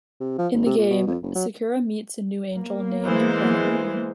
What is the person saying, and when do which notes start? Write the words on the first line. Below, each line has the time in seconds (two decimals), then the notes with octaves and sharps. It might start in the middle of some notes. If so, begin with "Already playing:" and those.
In the game, Sakura meets a new angel named Benomu.
0.20 C3
0.38 F3
0.54 G#1
0.66 C3
0.77 A#2
0.90 B2
1.07 F2
1.23 F#1
1.35 F#3
2.52 A#3 B3
3.05 E3 G#3 C5